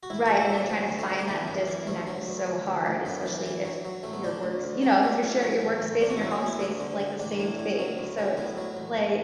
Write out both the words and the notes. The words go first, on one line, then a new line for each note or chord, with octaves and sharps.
Right, and then trying to find that disconnect is so hard, especially if your work's you know, 'cause you share your workspace and your home space is, like, the same thing, so it's like
F#4
A1 E4
A2 F#4
E4
F#3 D4
D2 B3
D2
A3
D3
D4
E3 B3
F#2
E3
D2 A3
F#3
D2
D2
D2
D2
F#2 B3
E3
E3
F#3
F#3
A1 A3
B3
D3 D4
D2
D2
F#3
F#3
A2
F#3
A1
A1
E2 D4
F#4
F#3 E4
F#4
F#3
E4
D2 D4
D3
D3
A1 D4
A2
A2
F#3
D2
F#3
A2 B3
F#3
A1
E2